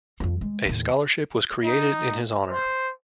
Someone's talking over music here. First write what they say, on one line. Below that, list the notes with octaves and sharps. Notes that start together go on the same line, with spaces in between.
A scholarship was created in his honor.
F2 F3
G#3
D#2 A2
D#4
C5